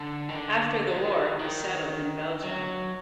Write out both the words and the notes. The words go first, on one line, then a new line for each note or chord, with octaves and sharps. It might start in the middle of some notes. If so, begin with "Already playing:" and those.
After the war he settled in Belgium.
Already playing: D3
D#3
D3
D#3
D#3
F#3